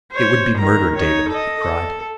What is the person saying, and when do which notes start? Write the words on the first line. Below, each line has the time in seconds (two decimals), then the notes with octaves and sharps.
"It would be murder, David," he cried.
0.12 C5 C#5
0.57 D#3 A#5
0.96 D#4 C#5
1.29 A4 D#5
1.61 A4